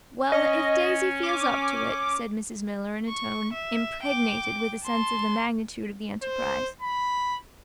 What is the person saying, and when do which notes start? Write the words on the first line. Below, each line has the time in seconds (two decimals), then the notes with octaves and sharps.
"Well, if Daisy feels up to it--" said Mrs. Miller, in a tone impregnated with a sense of the magnitude of the enterprise.
0.32 C#4 D#5
1.23 D6
3.09 C#6
3.53 E5
4.02 G5 D6
4.84 A5 C6
6.23 C5
6.81 B5